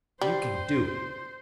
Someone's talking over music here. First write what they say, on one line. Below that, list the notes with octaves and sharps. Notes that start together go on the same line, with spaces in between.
You can do it.
G3 C5